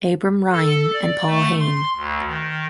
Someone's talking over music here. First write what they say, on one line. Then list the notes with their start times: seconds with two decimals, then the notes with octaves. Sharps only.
Abram Ryan, and Paul Hayne.
0.52 A4
0.93 D5
1.26 A3
1.59 C6
1.95 D2
2.26 D#3